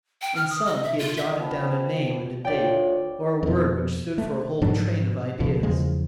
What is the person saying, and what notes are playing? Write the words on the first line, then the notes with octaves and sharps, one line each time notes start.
In some he had jotted down a name and a date, or a word which stood for a whole train of ideas.
G5
F6
D#6
D#5
E5
F4
E5
F3 B3 G5 B5
D2 F4 C#5 D5 G5
F2 B2
A3
G#2 F3 F#3 D4
C#2 B2 F3
E2 C#3 F3 G#3